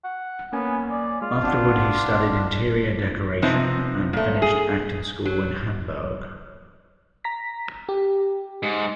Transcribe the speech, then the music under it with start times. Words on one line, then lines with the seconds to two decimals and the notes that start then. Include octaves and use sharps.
Afterward, he studied interior decoration and finished acting school in Hamburg.
0.04 F#5
0.53 A#3 B3 C#4 G#5
0.90 D5
1.22 G#3 F4
1.43 C4 D4 F#5
3.42 C3 F3 B3 C4 D#4
4.13 A#2 A3
4.42 G#4
5.25 F#3
7.24 A#5 A#6 B6
7.89 G4
8.63 G#2